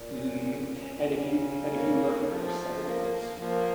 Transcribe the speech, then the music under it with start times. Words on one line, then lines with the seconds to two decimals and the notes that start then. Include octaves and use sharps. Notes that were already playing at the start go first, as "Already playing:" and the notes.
Mhm, and, if you and if you look at her sales
Already playing: A#2
0.11 C#4
0.66 C#4
1.20 C#3
1.76 A#3
2.29 F3 A3
2.85 A#3
3.39 F3 A#3